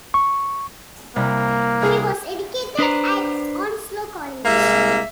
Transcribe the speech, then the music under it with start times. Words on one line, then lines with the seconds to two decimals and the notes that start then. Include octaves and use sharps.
She was educated at Onslow College.
0.14 C#6
1.16 C2 A#3
1.82 C2 G#4 A#4
2.79 D4 B4 C5 A#5
4.45 C2 G#3 A#3 E5